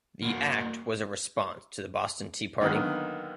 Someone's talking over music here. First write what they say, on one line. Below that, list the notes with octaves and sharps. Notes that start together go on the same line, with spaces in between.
The Act was a response to the Boston Tea Party.
A#3 F#4
D#2 D3 D#3 F#3 B3